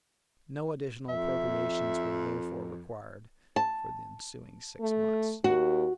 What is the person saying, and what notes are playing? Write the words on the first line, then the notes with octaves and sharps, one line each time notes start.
No additional appropriations were therefore required for the ensuing six months.
F2 E5
A5
A3
D#2 F#4